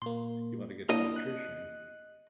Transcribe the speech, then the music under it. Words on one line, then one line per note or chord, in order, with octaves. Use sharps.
you wanna get the nutrition;
A#2 A#3 C6
A#3 D4 E4 D#5
F#6